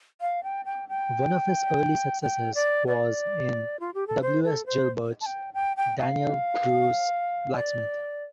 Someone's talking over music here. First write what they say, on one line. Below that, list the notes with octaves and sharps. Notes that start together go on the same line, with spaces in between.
One of his early successes was in W. S. Gilbert's "Dan'l Druce, Blacksmith".
F5
G5
G5
G5
G5
D5
D5
F4
G4
A4
C5
A4
C5
A5
G5
G5
G5
F5
D5